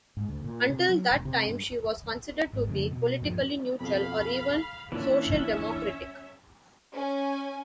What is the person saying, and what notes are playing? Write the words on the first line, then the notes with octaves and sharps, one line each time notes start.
Until that time she was considered to be politically neutral or even social-democratic.
G#2
D2
A#2
C3
F#3
E1
C3
G2
G#1
F2 C#3
B2
E2 G2 A#2 F3
F2 B2 F5 B5
A#2 E3 C#4 D4 E5
C#4 G#5